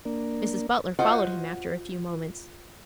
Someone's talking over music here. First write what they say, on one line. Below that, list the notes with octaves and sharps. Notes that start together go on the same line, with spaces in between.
Mrs. Butler followed him after a few moments.
A#3 D4
F4 F#4 C5 D#5 F#5